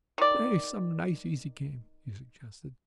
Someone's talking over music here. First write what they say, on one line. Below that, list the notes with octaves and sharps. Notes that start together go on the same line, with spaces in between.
"Play some nice, easy game," he suggested.
D#3 D5